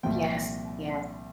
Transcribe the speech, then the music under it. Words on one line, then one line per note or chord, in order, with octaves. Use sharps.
Yes, yes.
C2 A#2 F3 G5